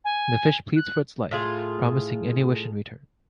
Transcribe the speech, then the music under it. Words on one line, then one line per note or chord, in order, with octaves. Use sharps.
The fish pleads for its life, promising any wish in return.
G#5
F#6
A2 F4 G#4